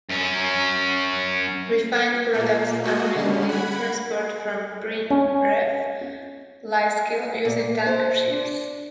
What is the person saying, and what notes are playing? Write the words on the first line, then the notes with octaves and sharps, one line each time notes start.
Refined products are mainly transported from Preemraff Lysekil using tanker ships.
F#2 C#4
A#2 A#3
A3 A#3 F#4 D#5
D3 G3 C#4
F#5 B5 G#6
C#4
A#2
C5
D4